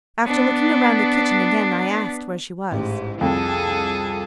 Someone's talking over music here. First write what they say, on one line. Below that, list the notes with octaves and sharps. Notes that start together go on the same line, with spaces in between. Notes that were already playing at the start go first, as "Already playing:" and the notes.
After looking round the kitchen again, I asked where she was.
B3 D4
A1 G#2 G#3 G4
C2 F2 G#4 A4